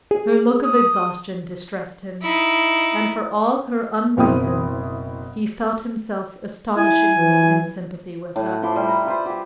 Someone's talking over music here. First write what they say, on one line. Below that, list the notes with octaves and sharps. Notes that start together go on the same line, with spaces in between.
Her look of exhaustion distressed him, and, for all her unreason, he felt himself astonishingly in sympathy with her.
G#4
D#6
D#4 E4
F#1 B2 C4 E4 G5 D#6
E4 G#5
E3
A2
F3 E4 C6 D6
G3 E4
A#5
F4 B4 C5
G4 G#5